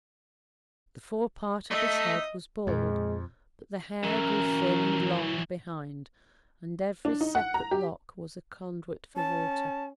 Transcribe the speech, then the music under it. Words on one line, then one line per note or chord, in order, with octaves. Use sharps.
The fore part of his head was bald; but the hair grew thin and long behind, and every separate lock was a conduit for water.
A3 D#4 D#5 E5
F2 A#2 G#3
E3 F#3 C#4 A#4
D4
D#4
F#5
A#5
G4
C#4 A5